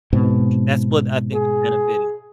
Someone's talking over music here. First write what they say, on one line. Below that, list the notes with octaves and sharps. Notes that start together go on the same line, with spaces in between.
that's what I think the benefit is.
G#2 B2 C4
G#4